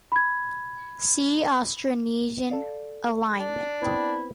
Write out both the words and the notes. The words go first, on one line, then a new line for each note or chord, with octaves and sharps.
See Austronesian alignment.
B5 G#6
A4 D5 F5
D4
B3 C4 E4 G5